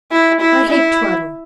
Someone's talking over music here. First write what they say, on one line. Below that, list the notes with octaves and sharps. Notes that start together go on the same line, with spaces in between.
I hate twaddle.
E4
E4
E4